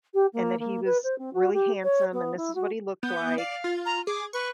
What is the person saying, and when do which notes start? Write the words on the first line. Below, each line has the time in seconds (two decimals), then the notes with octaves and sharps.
and that he was really handsome, and this is what he looked like,
0.14 G4
0.33 A#3
0.59 A#3
0.85 B4
1.04 C5
1.18 C4
1.34 F#4
1.54 G4
1.83 C#5
2.13 B3
2.37 E4
2.55 F#4
3.03 B3 G6
3.38 D5 F5
3.64 F4
3.86 A#5
4.07 G#4 D6
4.33 B4 C#6